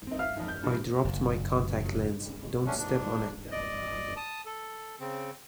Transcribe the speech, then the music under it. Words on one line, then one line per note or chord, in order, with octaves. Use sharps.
I dropped my contact lens, don't step on it!.
C4 D#4
E5 F5 F6
F2 G#2
G6
G2 E3
F#1
F#3 A3 C#4 D4
G#2 D4
D5 D#5
A5 D#6
A4
C#3 C4